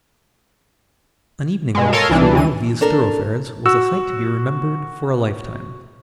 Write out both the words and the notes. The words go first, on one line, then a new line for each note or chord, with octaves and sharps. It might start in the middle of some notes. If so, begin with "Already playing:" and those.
An evening walk through one of these thoroughfares was a sight to be remembered for a lifetime.
B2 G#3
A4 A#4 C#5 D#5 F5 C6
C2 E3 D4
D2 E3 D#7
D4 A4 A#4
F#4 E6